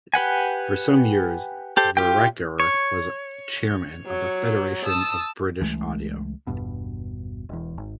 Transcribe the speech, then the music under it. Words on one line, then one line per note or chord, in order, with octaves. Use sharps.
For some years Vereker was chairman of the Federation of British Audio.
G4 B4 F#5 G#5
G4 A4 C5
F4 G4 G5
C#5
F#3
A5 D#6 E6
C#2 E3 G#3 A3
G1 E2 G2 B2
E1 E2
G#1